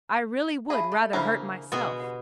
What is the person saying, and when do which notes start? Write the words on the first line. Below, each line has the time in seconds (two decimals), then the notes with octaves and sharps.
I really would rather hurt myself.
0.70 E4 G#4 E5 F5 A5
0.92 A3
1.13 E2 C#3 A#3 D4 E4 F4 C5 F5
1.72 B2 B3 F#4 G#4 C6
2.00 G4 B4 F#5